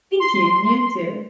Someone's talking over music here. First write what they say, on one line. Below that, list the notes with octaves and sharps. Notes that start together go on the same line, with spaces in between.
Thank you, and you too.
C6